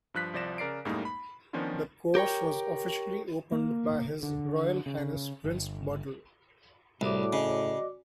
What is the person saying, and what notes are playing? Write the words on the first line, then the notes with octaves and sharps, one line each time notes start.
The course was officially opened by His Royal Highness Prince Bertil.
G2 F3 F#6 B6
C2 F3 D5 A#6 E7
C#3 A#4 D5 C7 D7
F#2 A2 G3 G#3 A#3 D#4
B5
D#3 F3 B3 C#4 D4 F4
G4 A#4 C#5 G5
A#3
D3
C#3
G1
C2 A2 F#4 D5 D6
C#3 D#5